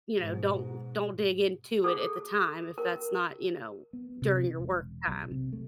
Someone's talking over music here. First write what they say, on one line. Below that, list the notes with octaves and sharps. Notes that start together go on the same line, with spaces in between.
you know, don't don't dig into it at the time if that's not, you know, during your work time.
G#2 B2
G#4 A4
A#4
B3
C3
E1
B1
C3
A3